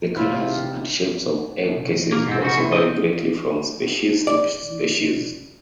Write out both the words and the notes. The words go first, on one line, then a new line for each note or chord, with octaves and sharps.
The colours and shapes of egg cases also vary greatly from species to species.
C3 E4 F4
A#3
G#2 C4
C#3 F#4
C3 E3
C4 D#5
D5